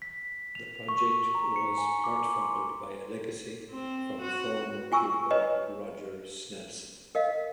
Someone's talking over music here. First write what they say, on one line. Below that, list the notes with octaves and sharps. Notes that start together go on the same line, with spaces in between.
The project was part-funded by a legacy from former pupil Roger Snelson.
B6
F7
C#6
A#5
C#7
G#5
D6
C6
C4
F#4
F4 G#5 C#6 E6
B4 C#5 D#5 A#5
A#4 D#5 F5